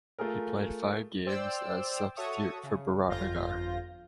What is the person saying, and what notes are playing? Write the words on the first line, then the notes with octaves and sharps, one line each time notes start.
He played five games as substitute for Biratnagar.
A3 F4 G#4 A#4
C5 D5 G5 E6
F#4 A4 C#5 E5 C#6 D#6
C#3
G1 F2 F4 G6 A#6